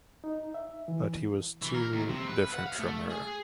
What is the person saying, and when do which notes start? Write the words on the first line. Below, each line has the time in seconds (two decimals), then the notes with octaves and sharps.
But he was too different from her.
0.24 D#4
0.54 E5
0.88 E3
1.62 E3
1.75 A#4
1.92 D#2
2.09 C3
2.27 B4
2.54 F#5
2.66 F5
2.79 A3
3.10 G#4